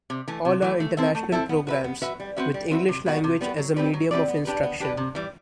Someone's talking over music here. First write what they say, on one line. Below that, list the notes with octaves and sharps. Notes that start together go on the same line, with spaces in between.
All are international programs, with English language as a medium of instruction.
C3
E3 A3
C3
E3 A3
A3
C4 E4 A4 E5
A3
C4 E4 A4 E5
B3
F#4 B4 E5
B3
F#4 B4 E5
G3
C4 F#4 B4 E5
G3
C4 F#4 B4 E5
C3
G3 B3 F#4 B4
C3
G3 B3 F#4 B4
F#3
C4 G4 B4 D5
F#3
C4 G4 B4 D5
B3
D4 G4 B4
B3
D4 G4 B4
C3
E3 G3